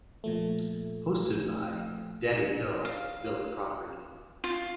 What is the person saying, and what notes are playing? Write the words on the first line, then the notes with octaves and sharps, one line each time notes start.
Hosted by "Daddy Bills" Billy Crawford.
A#2 F3 A3
F5
F4